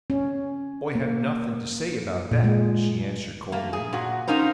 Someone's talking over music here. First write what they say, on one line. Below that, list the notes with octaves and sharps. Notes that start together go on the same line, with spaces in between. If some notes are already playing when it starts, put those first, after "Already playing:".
"Oi have nothin' to say about that," she answered coldly.
C#4
A#3
A#2
G#3
A3 A#3
G#4
A#2 F#4
C#4 D#4 F4 A#4 C5